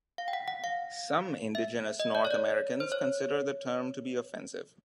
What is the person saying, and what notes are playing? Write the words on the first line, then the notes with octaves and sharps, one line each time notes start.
Some indigenous North Americans consider the term to be offensive.
F5
G5
F#5
F#5
F5
E5
D#5
D5
C#5
D5
C5
C#5